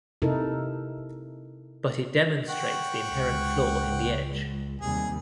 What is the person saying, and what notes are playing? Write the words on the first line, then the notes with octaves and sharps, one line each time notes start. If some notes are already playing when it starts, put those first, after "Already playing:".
But it demonstrates the inherent flaw in the Edge.
C3 D#4 E4 A4 A#4
F#5 G5 C#6
C#2
D#2 C3 G3 G#4